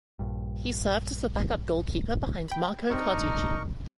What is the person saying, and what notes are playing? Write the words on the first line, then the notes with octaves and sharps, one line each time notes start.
He served as the backup goalkeeper behind Marco Carducci.
A#1 G2
G5 B5
G3 C4 D4 D#4 A#4 C#6